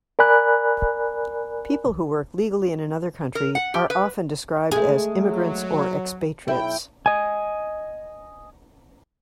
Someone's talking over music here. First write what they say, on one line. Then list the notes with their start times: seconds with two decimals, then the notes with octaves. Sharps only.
People who work legally in another country are often described as immigrants or expatriates.
0.19 A#4 D5 G#5 B5 F#6
3.35 A#4
3.55 F#5
3.74 G4
3.90 B4
4.71 G#3 A3 G#4
5.21 F#3
6.48 B1 E4 G5
7.06 D#5 G#5